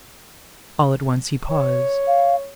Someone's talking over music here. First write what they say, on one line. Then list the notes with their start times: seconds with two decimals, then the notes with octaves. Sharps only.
All at once he paused.
1.50 C#5
2.07 F5